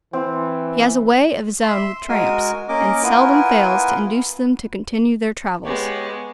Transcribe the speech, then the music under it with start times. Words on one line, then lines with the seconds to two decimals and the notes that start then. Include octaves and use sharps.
He has a way of his own with tramps, and seldom fails to induce them to continue their travels.
0.13 E3 C4
1.63 E5 C6
2.09 G#3 F#4 A#4 G#5
2.69 A#3 C#4 A#4 D#5 D6
3.03 B3 E4 F4 A#4 B4 G#5
5.65 G#3 B3 G4 C#5